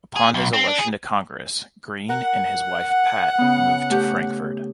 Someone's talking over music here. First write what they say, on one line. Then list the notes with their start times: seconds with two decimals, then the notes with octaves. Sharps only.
Upon his election to Congress, Green and his wife Pat moved to Frankford.
0.16 G#4
0.34 B1
0.54 C4
0.68 D4
0.79 G#4
2.09 A#4 F#5
3.38 C#3 B3
3.90 A3 G4